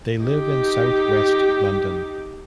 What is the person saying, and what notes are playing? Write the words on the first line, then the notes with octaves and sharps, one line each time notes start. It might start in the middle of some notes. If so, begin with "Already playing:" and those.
They live in south west London.
D#4 G4